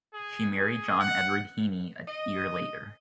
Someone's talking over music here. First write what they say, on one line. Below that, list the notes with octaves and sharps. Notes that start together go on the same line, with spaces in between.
She married John Edward Heeney a year later.
G#4
G#4
F#5
D#5